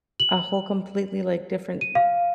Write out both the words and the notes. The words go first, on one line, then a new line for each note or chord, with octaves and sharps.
a whole completely, like, different
F#7
D#7
F5